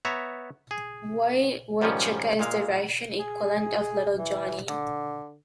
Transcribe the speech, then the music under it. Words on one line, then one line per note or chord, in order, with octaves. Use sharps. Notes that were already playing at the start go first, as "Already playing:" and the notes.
Vovochka is the Russian equivalent of "Little Johnny".
B3 C#5 E5 A#5
G#4
G#2 D#3 F3 G3 C#4
A#2 G#3 F5
G#4
E3
D3